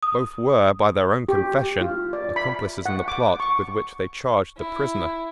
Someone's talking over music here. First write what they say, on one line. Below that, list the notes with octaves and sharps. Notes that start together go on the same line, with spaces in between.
Both were, by their own confession accomplices in the plot with which they charged the prisoner.
D#6
G4
F4
D5
B5
F#5
D6
C#6
E4